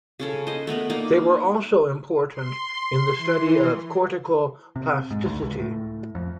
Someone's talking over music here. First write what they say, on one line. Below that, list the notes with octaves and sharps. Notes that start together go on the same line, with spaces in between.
They were also important in the study of cortical plasticity.
C#3 C#4 A4
C5 D#5
A3 B3 A#4 B4
A#3 D#4 D5
C6
E3
C3
G#2
D2
C#2
A2
F2